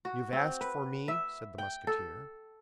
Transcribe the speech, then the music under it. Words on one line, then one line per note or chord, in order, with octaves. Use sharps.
"You have asked for me?" said the Musketeer.
F#4
C4
B4
E5
G5
A4